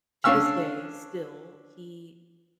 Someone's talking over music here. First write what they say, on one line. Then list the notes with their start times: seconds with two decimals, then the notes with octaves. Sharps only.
to this day, still, he
0.24 C#4 D4 F5 C#6 E6 F6